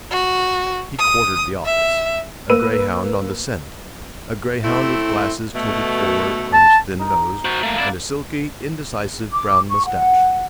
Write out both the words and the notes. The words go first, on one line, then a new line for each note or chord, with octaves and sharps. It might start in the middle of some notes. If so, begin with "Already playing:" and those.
He quartered the office, a grayhound on the scent; a grayhound with glasses tilted forward on his thin nose, and a silky indecisive brown mustache.
F#4
D#6
E5
A#3 B4 E6 D#7
A3 C4 E4
B2 A3
A5
D#4 A#4
F#4 C5
A3 A#3 F5
E4 D5 F#5 A5 D6
D6
C#6
F#5